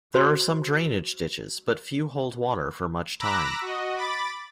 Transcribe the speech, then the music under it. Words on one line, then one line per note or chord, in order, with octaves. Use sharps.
There are some drainage ditches, but few hold water for much time.
F#4 C5 C6
A#5 B5 D6 E6 F#6 A#6
F#4 D#5
B5 D6 A6